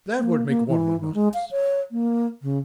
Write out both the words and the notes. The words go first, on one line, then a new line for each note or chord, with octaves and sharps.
That would make one monotonous.
A#3
A#3
E3
D#3
G#3
F5
C#5
A#3
C#3